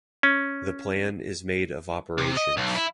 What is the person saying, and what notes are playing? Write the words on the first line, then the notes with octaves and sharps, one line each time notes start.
The plan is made of operations.
C#4
C3
D#5
B1
E4